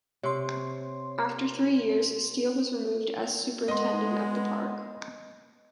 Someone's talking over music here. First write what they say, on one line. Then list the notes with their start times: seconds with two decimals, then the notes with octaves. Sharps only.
After three years, Steel was removed as superintendent of the park.
0.23 C3 C#5 C6
3.68 G#3 B3 D#5 C6